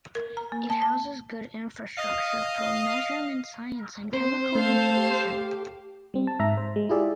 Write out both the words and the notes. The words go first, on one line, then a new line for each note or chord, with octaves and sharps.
It houses good infrastructure for measurement science and chemical information.
A#4
A#5
A#3
A5
A5
D#5 F5
C4 C5
A3 A4 F5
G4
G3 C4
A5
G#2 E5 A#5
C5
G#3
E4 F4 G4 G#4 D5 E5